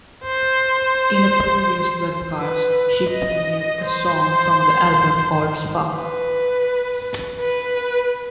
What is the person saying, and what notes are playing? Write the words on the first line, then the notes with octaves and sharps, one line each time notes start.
In a previous webcast, she premiered a song from the album called "Spark".
C5
B4
D#5
C5
B4
B4